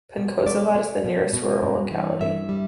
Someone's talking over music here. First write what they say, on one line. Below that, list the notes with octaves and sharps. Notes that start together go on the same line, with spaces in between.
Penkozavod is the nearest rural locality.
B2
A3 D5
A3
B2
B2
G2
E3
G2 E5
G3